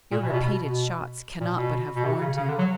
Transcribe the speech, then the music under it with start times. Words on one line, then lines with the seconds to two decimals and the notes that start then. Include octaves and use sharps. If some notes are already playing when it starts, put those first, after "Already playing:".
Your repeated shots cannot but have warned him.
0.11 A#2
0.22 B2
0.28 C3
0.33 B2
0.43 B2
0.60 B2
1.40 A#2
1.56 B2
1.95 B2
2.05 C3
2.21 C#3
2.37 C#3
2.48 D3
2.58 F#3